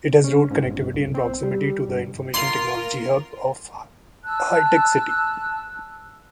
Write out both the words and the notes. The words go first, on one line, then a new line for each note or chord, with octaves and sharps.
It has road connectivity and proximity to the Information Technology hub of Hitech city.
C#4
G#2
G1
C2
C4
G3
G1
F4 A#4 C6
A5 E6 F#6